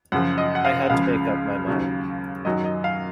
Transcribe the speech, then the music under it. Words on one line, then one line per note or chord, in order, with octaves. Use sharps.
I had to make up my mind.
F#2 C#3 F3 F#5
D#5
F#5
F5
C#2 C#3 F3 F5
D#2 C#3 F#3
F#2 D#3 F#3 D#5
D#5
F5